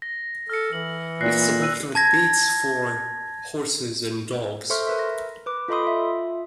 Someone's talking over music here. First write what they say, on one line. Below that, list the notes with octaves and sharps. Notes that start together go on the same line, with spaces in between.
It is a popular beach for horses and dogs.
A#6
A4 F6 C#7
E3 F#7
A#2 F#6 A#6 C7
E6 F#6 D#7
A5 G#6 A#6
A4 C5 E5 C6 C#6 F6
A#4 B4 E5
A#6
B4 D6
F4 A4 D#5 B5 C6 D#6
F4 E5